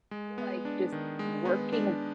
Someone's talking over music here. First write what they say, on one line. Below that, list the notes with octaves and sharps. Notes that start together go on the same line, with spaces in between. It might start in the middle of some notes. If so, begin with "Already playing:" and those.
I feel like just working
G#3
B3
D4
D#3
G#3
B3
D4